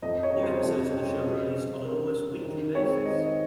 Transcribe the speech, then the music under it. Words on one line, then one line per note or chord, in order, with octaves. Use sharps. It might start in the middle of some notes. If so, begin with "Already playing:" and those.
New episodes of the show are released on an almost weekly basis.
F2 D#5
C#5
C#3 G3 C4
C5
F2
C#3 G3 C4
C#3
G3 C#4
C#3 A#4
G3 C#4
D#3
G#3 C4 C#5
D#3 D#5